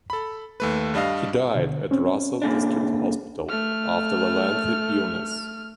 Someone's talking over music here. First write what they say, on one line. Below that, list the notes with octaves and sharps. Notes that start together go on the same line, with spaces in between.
He died at Russell District Hospital after a lengthy illness.
A4 B5
D#2 A3 B4
G2 G3 D4 D#5 F5
B2 D3
C4 C#4
A#2 C#3 D4
A3 F6